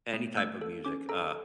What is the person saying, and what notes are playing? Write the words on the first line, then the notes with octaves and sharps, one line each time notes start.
any type of music. Uh,
A3
A3 E6
A4
C#4 D6
A4 A#5